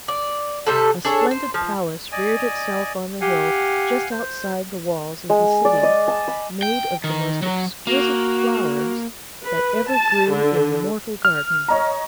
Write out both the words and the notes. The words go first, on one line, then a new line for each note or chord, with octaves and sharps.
A splendid palace reared itself on the hill just outside the walls of the city, made of the most exquisite flowers that ever grew in mortal garden.
D5
C3 G3 A4
D4 G#4 A4 C#5
C5
F3
D5 D#5 G#5
G4 F5 F#5 G#5
C5
G#3
D5
D#5
A5
B5
G5
D#3
F#3
A#3 F#4
B4
A5
D3
F6
C#5 D#5 A#5